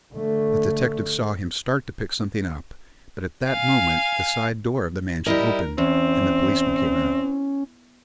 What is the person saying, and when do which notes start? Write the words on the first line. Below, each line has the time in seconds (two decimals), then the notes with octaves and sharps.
The detective saw him start to pick something up, but at that moment the side door of the mansion opened and the policeman came out.
0.14 D3 A3
3.50 F5 G#5
5.26 G3 E4 A#4 D#5
5.78 E2 C4 C#4